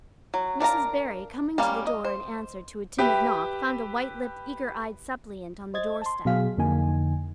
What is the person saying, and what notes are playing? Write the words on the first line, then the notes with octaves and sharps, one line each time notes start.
Mrs. Barry, coming to the door in answer to a timid knock, found a white-lipped eager-eyed suppliant on the doorstep.
F#3
D4 A#4 F5 A#5
G3 A#3 C#4 F5
D#5
C5
G4 B4 E5 G5
C5 D#5 G#6 A6
A5 C6
B2 F#3 G#4 F5 B6
F2 D3 A#3 D#4 G#5